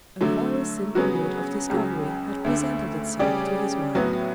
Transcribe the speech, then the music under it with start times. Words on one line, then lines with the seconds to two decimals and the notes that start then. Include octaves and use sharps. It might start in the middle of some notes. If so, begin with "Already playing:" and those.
A very simple mode of discovery had presented itself to his mind.
0.21 D3 F#3 A3
0.95 C#3 F#3 B3 F#4
1.70 C#2 C#3 F#3
2.45 D2 D3 A3
3.19 C#3 G3 C#4 G4 D5
3.95 A2 F#3 B3 F#4